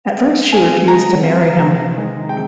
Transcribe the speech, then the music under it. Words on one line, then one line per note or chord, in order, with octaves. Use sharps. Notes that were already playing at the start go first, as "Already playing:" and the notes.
At first she refused to marry him.
G#3
C4 F4 G#5
G#3 A#5
C4 F4
C3 A#5
D#3 G#3
C3 G5